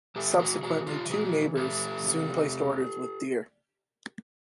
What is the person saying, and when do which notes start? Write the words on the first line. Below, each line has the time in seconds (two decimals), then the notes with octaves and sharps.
Subsequently two neighbors soon placed orders with Deere.
0.16 E3 G4 A4
0.39 F#4 G#4
0.62 E3 F#4 G#4
0.87 F4 G4
1.10 E3 F#4 G#4
1.57 E3 G4 A4
2.04 C3